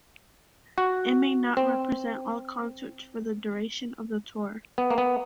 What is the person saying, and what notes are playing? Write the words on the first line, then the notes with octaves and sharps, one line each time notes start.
It may not represent all concerts for the duration of the tour.
F#4
C4
B3
A#3
B3